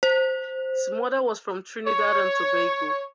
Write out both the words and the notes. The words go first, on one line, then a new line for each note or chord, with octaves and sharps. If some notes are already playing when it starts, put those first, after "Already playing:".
His mother was from Trinidad and Tobago.
C5
C#5